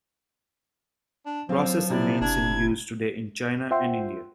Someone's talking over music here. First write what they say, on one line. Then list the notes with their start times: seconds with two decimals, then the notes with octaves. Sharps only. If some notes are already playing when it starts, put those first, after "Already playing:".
The process remains in use today in China and India.
1.26 D4
1.49 F3 F#3 C4 F5
1.90 C3 E4 D5
2.21 F#1 D4 G#6
3.71 F4 C5 E5 F#5 G5 C6